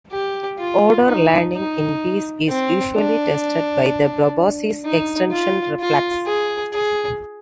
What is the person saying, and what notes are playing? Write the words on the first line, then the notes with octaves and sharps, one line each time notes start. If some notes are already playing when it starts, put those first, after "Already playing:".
Odor learning in bees is usually tested by the proboscis extension reflex.
G4
F4
D#4
D#4
C4
D4
D#4
F4
F4
G#4
G#4